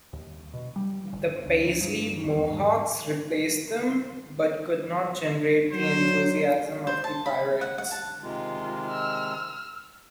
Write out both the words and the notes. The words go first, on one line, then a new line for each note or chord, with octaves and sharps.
The Paisley Mohawks replaced them, but could not generate the enthusiasm of the Pirates.
D#2
B2
G3
G1
D2
D2
G2
E2
G#2
F#3 C5
C5
A5
B5
F#5
F#5
A5
C3 D#3 G#3 F4
E6 F6